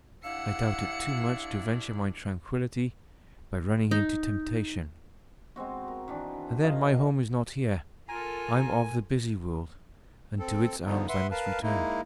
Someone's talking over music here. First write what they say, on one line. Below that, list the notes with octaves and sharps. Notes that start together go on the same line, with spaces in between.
I doubt it too much to venture my tranquillity by running into temptation: and then my home is not here. I'm of the busy world, and to its arms I must return.
G2 D4 E4 F5 F#5 E6 C#7
D#4
G#3 B3 C4 F#4
A#4
D#3 E3 D4
A#4 C5 D#5 F5
F4 A4 A#4 G#5
C4 A4
G#2 D3 F3 B3 D#4
B4 E5 F#5 C6
A#4 B4 F5 A5
G#3 A#3 D#4 E4